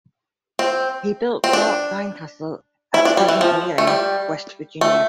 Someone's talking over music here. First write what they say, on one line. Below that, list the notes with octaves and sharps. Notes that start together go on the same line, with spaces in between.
He built Fort Fincastle at present Wheeling, West Virginia.
C4
C4
D4
E4
D4
G3
E3
F3
A3
G3
A3